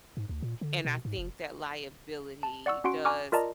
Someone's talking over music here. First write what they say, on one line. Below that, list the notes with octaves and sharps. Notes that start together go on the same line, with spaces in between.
and I think that liability does
G#2
D2
A#2
D3
B2
G#2
F1
A5
D5 F#5 C#6 E6
C#4 F#4 F#5 C6 D7
G#5 A#5 C#6 D6 F6
F4 A#4 D5 D#5 A5 A#5